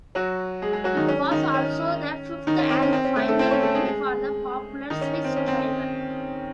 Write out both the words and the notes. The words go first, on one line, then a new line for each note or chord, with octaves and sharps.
It was also the fifth and final win for the popular Swiss driver.
F#3 F#4
G#3 G#4
G#3 G#4
F#3 F#4
D#3 D#4
C#4
D#3 D#4
C#4
D#3 D#4
C#4
C4
C#4
C4
C#4
A3 A4
A3 A4
C4 C5
C#4 C#5
A3 A4
G#3 G#4
G#3 G#4
D#3 D#4
C#4
C#4
C4
C#4
C4